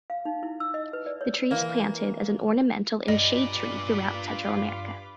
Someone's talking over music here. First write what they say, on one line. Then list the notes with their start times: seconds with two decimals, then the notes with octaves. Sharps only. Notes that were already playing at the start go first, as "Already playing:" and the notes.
The tree is planted as an ornamental and shade tree throughout Central America.
0.10 F5
0.25 D#4
0.43 E4
0.60 E6
0.74 D#5
0.93 B4
1.06 D5
1.21 C#5
1.51 E3 A#3
3.08 G2 F4 B4 D5 D#5 D6